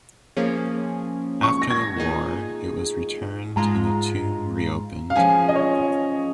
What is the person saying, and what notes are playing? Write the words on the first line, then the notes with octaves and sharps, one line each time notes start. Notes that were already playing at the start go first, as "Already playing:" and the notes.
After the war, it was returned and the tomb reopened.
F3 A#3 C#4 G#4
C#6
A#6
G#6
A#2 A#3 D#4 G#4
G#2 G#3 F4 A#5
F5
F3 C#4 G#4 G#5
D#5
C#5